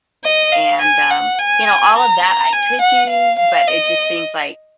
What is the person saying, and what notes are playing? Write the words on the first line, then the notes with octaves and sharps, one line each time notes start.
And, um, you know, all of that I could do, but it just seems like,
D#5
F5
G#5
F#5
G#5
A#5
A#5
G#5
F#5
F5
F5
D#5